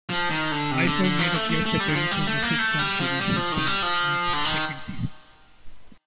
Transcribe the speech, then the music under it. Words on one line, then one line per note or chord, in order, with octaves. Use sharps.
Phifer made a guest appearance on the sitcom series "Husbands" in its second season.
F3
D#3
D3
C3
D3
D3
F3
A3
A3
A3
G3
D#3
F3
G3
A3
A#3
A3
G3
F3
G3
F3
D#3
G3
F3
D3
D#3